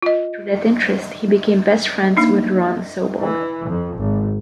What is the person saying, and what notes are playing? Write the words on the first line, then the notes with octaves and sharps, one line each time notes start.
Through that interest, he became best friends with Ron Sobol.
F4 D#5
A#3 D4 D#4
E3
F2
G#1